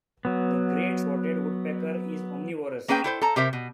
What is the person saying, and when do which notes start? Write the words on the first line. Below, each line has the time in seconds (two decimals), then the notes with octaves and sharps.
The great spotted woodpecker is omnivorous.
0.25 F#3 B3
2.88 A#3 C#4 G#4 B4 C#5 G5
3.04 E4 A4 C5
3.21 A4 A5 A#5
3.36 C3 G4 A#4 C5 E5
3.53 B2